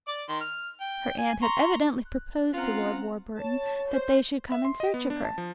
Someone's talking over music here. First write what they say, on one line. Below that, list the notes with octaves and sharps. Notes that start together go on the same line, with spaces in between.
Her aunt had evidently proposed to Lord Warburton that they should come in search of her.
D5 D6
D#3 C6
F6
G5
G#5
A#5 C6 C#6
F#6
C4 C#4 F4 F#5 A#5
C#5 A5
C5
E5
C6
D#5
B3
D4
A5
F3